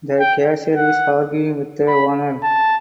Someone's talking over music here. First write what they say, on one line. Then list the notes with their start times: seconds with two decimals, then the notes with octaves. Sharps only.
The cashier is arguing with the owner.
0.20 G5
0.76 F#5
1.87 B5
2.43 A5